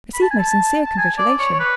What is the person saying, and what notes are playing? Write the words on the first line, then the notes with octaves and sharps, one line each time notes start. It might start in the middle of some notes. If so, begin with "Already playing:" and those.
"Receive my sincere congratulation."
B5
A5
G#5
A5
A5
G#5
D5
C#5
C#5
B4